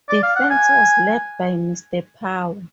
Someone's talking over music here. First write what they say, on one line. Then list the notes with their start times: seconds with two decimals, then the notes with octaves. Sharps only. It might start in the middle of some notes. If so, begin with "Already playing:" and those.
Defence was led by Mr Power.
0.09 D5
0.23 F5
0.36 F#5
0.50 G#5